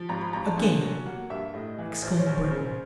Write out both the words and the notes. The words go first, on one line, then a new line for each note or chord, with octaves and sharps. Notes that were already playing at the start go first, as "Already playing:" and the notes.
"A game!" exclaimed Breton.
Already playing: F3
G#1 A#5
B5
G#1 A#5
A5
D3 G#5
F#3
A#3 F#5
G2 E5
A2 D#5
E3
A#1 C5
C#5
A#1 C5
C#5
C#3 C5